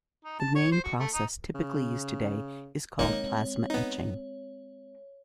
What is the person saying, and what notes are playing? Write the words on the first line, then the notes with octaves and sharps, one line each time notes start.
The main process typically used today is called plasma etching.
D#4
A5
C#5
C5
F#4
A3
D#4
C#3
G#3 A#3 C4 D#4 C#5
B3 D#4